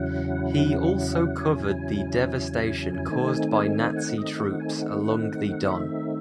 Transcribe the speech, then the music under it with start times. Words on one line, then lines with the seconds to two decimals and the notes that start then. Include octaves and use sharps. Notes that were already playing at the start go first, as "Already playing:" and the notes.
He also covered the devastation caused by Nazi troops along the Don.
Already playing: E2 C#3 F#3 C#4 E4 F#5
1.37 G#5
3.09 D#3 A3 C4 D#4
3.96 F#5
4.18 D#5
4.39 F#5
4.60 G#5
4.82 F#5
5.68 E5